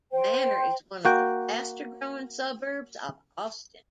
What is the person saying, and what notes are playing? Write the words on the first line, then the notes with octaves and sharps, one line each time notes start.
Manor is one of the faster-growing suburbs of Austin.
C5 G5
A#3 F#4 G5